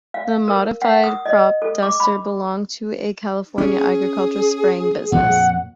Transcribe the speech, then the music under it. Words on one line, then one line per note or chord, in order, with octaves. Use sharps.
The modified crop duster belonged to a California agricultural spraying business.
F5
A#4
F#5
D#6
D#5
A4
D6
B5
C#4 G#4
F2 A#2 F#5